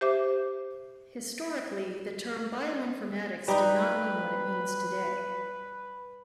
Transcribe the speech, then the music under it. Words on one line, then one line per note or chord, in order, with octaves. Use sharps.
Historically, the term "bioinformatics" did not mean what it means today.
G4 C5 E5 D6
G3 D#4 B4